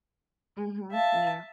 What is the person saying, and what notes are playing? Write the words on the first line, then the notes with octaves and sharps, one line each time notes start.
Mhm. Yeah.
E5 F5 A5